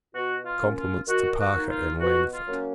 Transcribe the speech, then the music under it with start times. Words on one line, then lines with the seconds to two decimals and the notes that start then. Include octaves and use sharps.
Compliments to Parker and Langford.
0.14 B2 F#4
0.45 F4
0.62 A#3 C#4
0.76 F4
1.07 D#3 F#4
1.38 F#4
1.54 A#3 D#4
1.69 F4
2.00 B2 F#4
2.32 F4
2.47 F#3 A#3 C#4